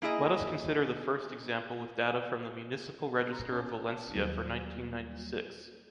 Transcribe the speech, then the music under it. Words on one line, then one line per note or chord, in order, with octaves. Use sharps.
Let us consider the first example with data from the Municipal Register of Valencia for nineteen ninety-six.
A#3 E4 G#4 D#5
A#5 C6
C#4 A5
D#2 F#3 G3 A#3